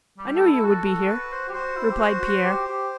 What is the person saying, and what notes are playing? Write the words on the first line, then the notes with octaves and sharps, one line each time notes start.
"I knew you would be here," replied Pierre.
G3 G4
A4
E4
E4 A4
F#4
A4
A4
B4
C5
G4
F#4 C5
E4
G4
F#4
F#4
G4
G4